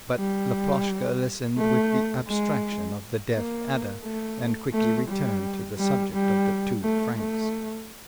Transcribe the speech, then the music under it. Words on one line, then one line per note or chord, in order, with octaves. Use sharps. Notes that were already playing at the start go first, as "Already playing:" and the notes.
But Laploshka listened with the abstraction of the deaf adder, and quickly returned to the subject of the two francs.
G3
A3
G#3
A#3
A3
A3
G3
G3
G3
A3
A3